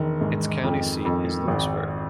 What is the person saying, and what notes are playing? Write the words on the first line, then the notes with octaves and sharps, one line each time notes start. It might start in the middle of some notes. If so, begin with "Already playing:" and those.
Its county seat is Lewisburg.
Already playing: E1 D#3
G#2
F2
F2
G#1